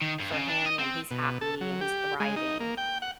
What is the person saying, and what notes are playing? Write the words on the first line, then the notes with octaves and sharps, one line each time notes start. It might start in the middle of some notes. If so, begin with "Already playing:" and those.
for him, and he's happy, and he's thriving,
D#3
G2
C#3
D4
D#5
C4
B2
A4
F#3
G4
G#3
D#4
A#3
G5
F#5